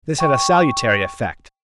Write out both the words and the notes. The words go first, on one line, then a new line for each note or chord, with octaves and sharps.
This had a salutary effect.
G5 C#6